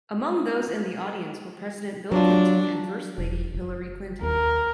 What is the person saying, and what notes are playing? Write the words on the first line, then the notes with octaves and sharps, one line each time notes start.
Among those in the audience were President Bill Clinton and First Lady Hillary Clinton.
F#3 D4 F4
E1
F#1
D#2 A#4